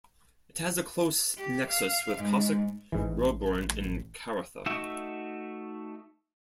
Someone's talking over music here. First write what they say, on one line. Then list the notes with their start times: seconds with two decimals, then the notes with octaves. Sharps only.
It has a close nexus with Cossack, Roebourne and Karratha.
1.37 G4
1.70 F5
2.17 G#2
2.92 A1 G#2 E3
4.66 A3 D#4 F#4 E5